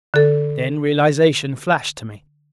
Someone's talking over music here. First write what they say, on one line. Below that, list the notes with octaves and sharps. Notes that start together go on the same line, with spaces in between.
Then realization flashed to me.
D3 A4